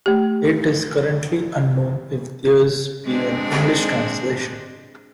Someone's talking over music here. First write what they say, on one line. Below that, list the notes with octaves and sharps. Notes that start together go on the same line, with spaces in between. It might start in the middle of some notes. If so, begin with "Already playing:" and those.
It is currently unknown if there will be an English translation.
A3 G4
G#3 C4 D4